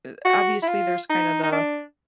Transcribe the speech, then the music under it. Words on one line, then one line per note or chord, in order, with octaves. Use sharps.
eh, obviously, there's kind of the
F#4
E4
F4
D#4
D#4
D4